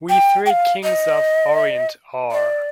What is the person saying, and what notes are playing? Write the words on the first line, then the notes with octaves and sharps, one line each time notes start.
We three Kings of Orient are.
G5
G5
F5
D#5
D5